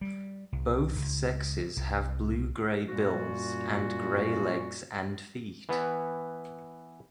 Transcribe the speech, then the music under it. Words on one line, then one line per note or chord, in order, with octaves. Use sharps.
Both sexes have blue-grey bills and grey legs and feet.
G3
C2
C#2
C2
F#2 A#2 G3 A#3 F4 F#4
E3 B3